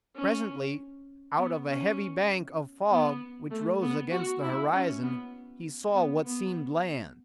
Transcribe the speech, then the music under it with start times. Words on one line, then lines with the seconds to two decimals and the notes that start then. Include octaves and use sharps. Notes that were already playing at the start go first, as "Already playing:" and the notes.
Presently out of a heavy bank of fog which rose against the horizon he saw what seemed land.
0.15 C#4
1.38 B3
1.68 C#4
2.90 B3
3.51 A3
3.81 B3
4.11 F#4
4.42 E4
4.73 C#4
5.03 B3
5.94 B3
6.25 B3